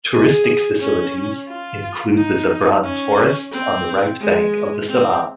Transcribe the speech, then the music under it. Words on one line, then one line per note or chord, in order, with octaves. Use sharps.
Touristic facilities include the Zabran forest on the right bank of the Sava.
G#4
C#4
F4
D#4
C#4
C4
G#3
C4